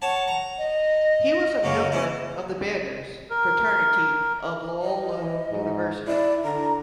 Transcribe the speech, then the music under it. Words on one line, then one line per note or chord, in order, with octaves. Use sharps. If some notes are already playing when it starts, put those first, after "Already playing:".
He was a member of the Beggars Fraternity of Loyola University.
C#5 F#5 A5
A#5
D#5
F#2 C#3 A#3
C#4 E4
A#4
D#5
E3
G#2
E4 D5
D3 A#5